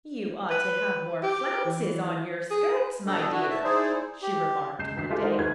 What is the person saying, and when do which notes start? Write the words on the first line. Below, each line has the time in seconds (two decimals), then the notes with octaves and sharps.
"You ought to have more flounces on your skirts, my dear," she remarked one day.
0.50 B4
1.23 G4
1.65 E3
2.50 G#4
3.07 B2 G3 D4 A4 D#5
3.31 D4 E4 F#4 B4
3.50 E5 A5
3.64 D#4 E4 G#4 C5 D5
4.22 G4
4.79 C#2 G6 C7 E7
4.97 D2 B6 C7
5.10 G#3 F4 G4 A4
5.23 D#4 F4 F#4 A4 A#4 C5
5.38 D#2 F4 B4 G#6